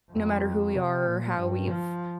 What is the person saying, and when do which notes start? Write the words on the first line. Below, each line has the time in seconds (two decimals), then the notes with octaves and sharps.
no matter who we are or how we've
0.12 F2
0.75 C3
1.06 A#2
1.38 G2
1.70 F3